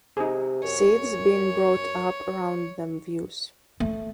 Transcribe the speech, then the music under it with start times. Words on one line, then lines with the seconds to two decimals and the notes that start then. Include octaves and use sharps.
Sid’s been brought up around them views.
0.17 C3 D#4 G#4
0.63 F#2 C#5
3.80 A3